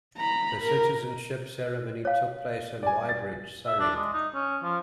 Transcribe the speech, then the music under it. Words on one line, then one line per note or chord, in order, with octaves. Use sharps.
The citizenship ceremony took place in Weybridge, Surrey.
A#5 B5
A#4
C#5 F5
D5 G#5
A6
E5
D4
G#3
D#4
C#4
F3